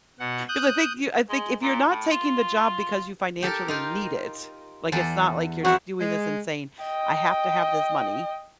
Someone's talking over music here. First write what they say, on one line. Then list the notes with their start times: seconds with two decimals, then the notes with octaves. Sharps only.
'Cause I think you I think if you're not taking the job because you financially need it, like, it's not like you're doing this and saying, "I have to have this money"
0.19 B2 F#5
0.49 D#6 F#6 G6
1.29 G#3
1.61 A#2
1.90 A2
2.11 F4
3.42 G4 A4 A#4
3.68 D#4 F4 A#4
4.92 E2 A4 D5
5.65 F2 F#4 E5
6.01 G#3
6.84 D#5 G5